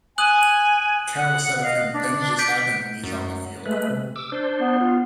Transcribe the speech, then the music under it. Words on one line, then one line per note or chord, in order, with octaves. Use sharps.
Carroll said of him Things just happen when he's on the field.
G#5 D#6 F#6 F#7
F#5
D#5 F5
D4
G6 B6 D7
F#2
G#3 A3 B4
C3
D6 E6
D4 C5
B3
F4